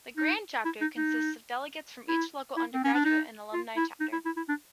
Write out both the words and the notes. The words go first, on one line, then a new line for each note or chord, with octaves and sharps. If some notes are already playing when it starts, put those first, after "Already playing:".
The Grand Chapter consists of delegates from each local undergraduate and alumni chapter.
D#4
E4
D#4
D#4
E4
E4
C4
C#4
D4
D#4
F4
E4
D#4
E4
E4
E4
D4